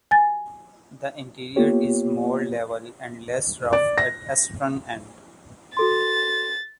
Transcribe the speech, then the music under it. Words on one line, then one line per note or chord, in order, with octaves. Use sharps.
The interior is more level and less rough at the eastern end.
G#5 A6
A#3 B3 F4 G4 C#5
D5
A#6
F#4 A4 C6 A6